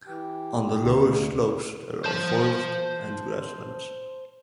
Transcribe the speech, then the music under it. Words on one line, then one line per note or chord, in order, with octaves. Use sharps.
On the lower slopes there are forests and grasslands.
E3 G4
D2
C5 A5